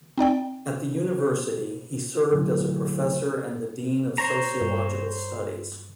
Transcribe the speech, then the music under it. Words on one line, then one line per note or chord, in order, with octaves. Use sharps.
At the university, he served as a professor and the dean of sociological studies.
C4 D#4 D5 G5
D1
C5 C#5 A#5
G2